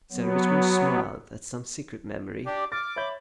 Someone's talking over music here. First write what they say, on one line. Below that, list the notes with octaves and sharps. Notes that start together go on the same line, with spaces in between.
Sir Richmond smiled at some secret memory.
F#3 B3
D4 G4 D6
D6 F6 A6
C#5 E5 B5 G6